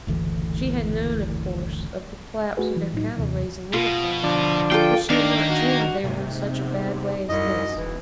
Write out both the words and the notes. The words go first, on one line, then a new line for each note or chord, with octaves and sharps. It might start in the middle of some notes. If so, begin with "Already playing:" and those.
She had known, of course, of the collapse of their cattle-raising enterprise, but she had not dreamed they were in such a bad way as this.
F#1 D2 A2 E3
A3 F#4 G#4 B4
E3 F#3
A2 F#3 D#4
D#2 C3 E3
B2 F4
D3 F3 D4
F4 A4 G5
D#3 D4 A#4 D5 F5
F#4
G#2 C3 D#3 A#3
E2
C2 F#2 D#5
E1 E3